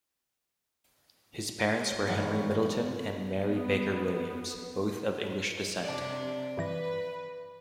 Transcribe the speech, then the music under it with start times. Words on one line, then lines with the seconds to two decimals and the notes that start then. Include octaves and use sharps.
His parents were Henry Middleton and Mary Baker Williams, both of English descent.
2.07 G2 B2 D#3 E3 F#3 G#3
3.42 B3
5.84 C3 D5 A5
6.57 G2 E3 B4 A#6